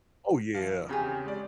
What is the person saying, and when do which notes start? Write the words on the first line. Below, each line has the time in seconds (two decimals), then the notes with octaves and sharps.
Oh, yeah.
0.55 F3 F5
0.88 E2 C#3 C4 G4 G#4
1.26 G#3 D5